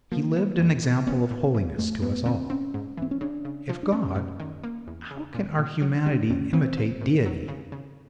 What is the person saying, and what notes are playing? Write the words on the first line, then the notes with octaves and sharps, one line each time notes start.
He lived an example of holiness to us all: if God, how can our humanity imitate Deity?
F3 A#3
B3
F2
D3
B3 C#4
A2
E3
F2 A3
F2 B3
D3 C4
C4 C#4
G#2
E3 C4
C#4
C#3 D4
C#3
F3
D4
B3 C#4
F#2
D#3
A#3
E2
C#3
A#2
A#2
F#3
G3 D4
F2 C#4
C#3 C4
A#2
A#2
F#3
C#3
C#3